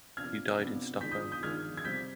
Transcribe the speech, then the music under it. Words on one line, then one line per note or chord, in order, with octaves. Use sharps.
He died in Stockholm.
C3 F3 B3 D4 F6 G#6
C3 F3 B3 D4
D#3 G#3 D4 G6 B6
D#6 G6
D#6 G6
D#3 G#3 D4 F6 G#6
G#6
C3 G3 C4 G6 B6